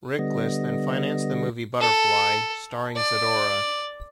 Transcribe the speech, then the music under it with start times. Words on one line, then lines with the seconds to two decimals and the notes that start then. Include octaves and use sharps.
Riklis then financed the movie "Butterfly", starring Zadora.
0.19 D3 G3 B3 D#5
1.81 A4
2.96 D5